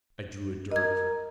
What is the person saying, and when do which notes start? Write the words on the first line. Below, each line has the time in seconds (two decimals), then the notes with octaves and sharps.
I drew a dirk.
0.72 A#4 D#5 G#6